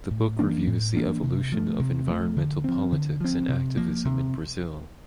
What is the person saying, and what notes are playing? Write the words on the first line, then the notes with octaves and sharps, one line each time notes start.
The book reviews the evolution of environmental politics and activism in Brazil.
A2
E3 A#3 D4
A2
E3 A#3 D4
C3
F3 A3
C3
F3 A3
D3
F3 C4
D3
F3 C4
C3
F3 A#3
C3